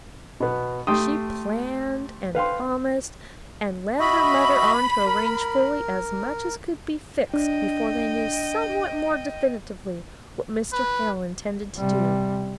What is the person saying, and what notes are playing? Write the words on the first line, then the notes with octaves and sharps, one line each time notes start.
She planned and promised, and led her mother on to arrange fully as much as could be fixed before they knew somewhat more definitively what Mr. Hale intended to do.
B2 B3
A3 G4 G5 C6 D#6
B4 F5 G5 C6
F#4 D#5 E5 B5
A#4
D4 D#5 G5
B4
C3 G3